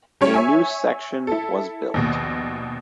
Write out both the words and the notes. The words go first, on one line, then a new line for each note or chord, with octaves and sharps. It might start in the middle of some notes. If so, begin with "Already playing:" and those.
A new section was built.
G3 C#4 C#5
C#5 E5 G#5
E4 A4
A#1 D#2 B2